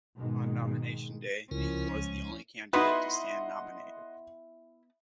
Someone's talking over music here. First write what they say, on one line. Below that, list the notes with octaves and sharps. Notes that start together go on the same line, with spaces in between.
On Nomination Day, Nathan was the only candidate to stand nominated.
G#2 B2 D#3 G#3
C#2 F3 C#4 E4 F4 A#4
G#3
B3 D#4 E4 F#4 B4 D#5 F#5 C6